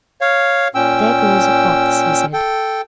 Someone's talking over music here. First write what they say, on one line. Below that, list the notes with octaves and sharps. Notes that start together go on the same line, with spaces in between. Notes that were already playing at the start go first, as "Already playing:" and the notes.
"There goes a fox," he said.
C#5 F5
A#2 C#4 G5 E6
A4 G5